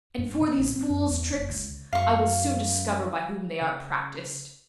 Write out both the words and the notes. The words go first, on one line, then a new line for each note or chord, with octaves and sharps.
'And for these fool's tricks--I will soon discover by whom they are practised.'
G2
C#3
A1
C4
F#2
E2
F#1
C#2
F#2 F5 C#6
C#3